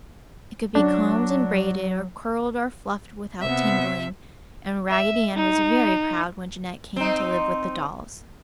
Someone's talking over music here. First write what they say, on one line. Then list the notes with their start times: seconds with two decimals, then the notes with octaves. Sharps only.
It could be combed and braided, or curled or fluffed without tangling, and Raggedy Ann was very proud when Jeanette came to live with the dolls.
0.75 F#3 D4
3.42 C3 B3 E5
4.89 E5
5.36 D#4
6.96 C4 D#4